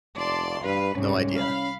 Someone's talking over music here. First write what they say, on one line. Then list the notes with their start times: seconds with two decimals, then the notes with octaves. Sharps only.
Um, no idea.
0.16 F1 D5 A5 C6
0.64 G2 B4 F5
0.96 C2 G#2 C#4
1.35 F5 B5